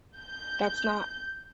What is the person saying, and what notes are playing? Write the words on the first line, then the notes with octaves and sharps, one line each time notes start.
that's not
G6